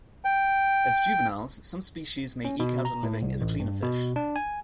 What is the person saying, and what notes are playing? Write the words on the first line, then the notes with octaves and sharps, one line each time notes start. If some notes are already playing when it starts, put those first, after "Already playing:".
As juveniles, some species may eke out a living as cleaner fish.
G5
C#4
B2
A#5
A2
C2
A1
G2
B2
D4
G#5